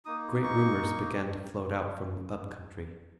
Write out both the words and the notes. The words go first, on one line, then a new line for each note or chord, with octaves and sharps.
Great rumours began to float out from the up-country.
A#3 D#4 D#6
C#6